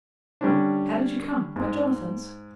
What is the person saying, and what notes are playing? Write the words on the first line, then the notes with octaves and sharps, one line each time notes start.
'How did you come; by Jonathan's?'
D3 G3 C#4 D4
G#2